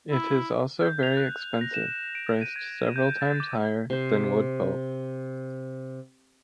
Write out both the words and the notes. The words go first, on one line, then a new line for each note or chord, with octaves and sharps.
It is also very expensive, priced several times higher than woodpulp.
E4
G6
F7
F#6
A#6
E7
D7
D#7
G#6
G6
A6
D6
C3 C5